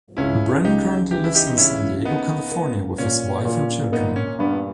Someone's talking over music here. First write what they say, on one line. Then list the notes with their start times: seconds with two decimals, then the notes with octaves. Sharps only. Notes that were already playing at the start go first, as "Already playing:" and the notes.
Brin currently lives in San Diego, California with his wife and children.
0.17 C#2 C#4 E4
0.64 C#2 D#4 G4
1.11 E3 G4
1.24 E4
1.35 D#4 G4
1.47 D#4
1.57 C#3 C#4 E4
2.04 A#3 B3 D#4
2.52 A#3
2.98 A#2 C#4
3.45 A#2
3.92 A#3 B3 D#4
4.08 B3
4.16 C#4
4.39 G2 B3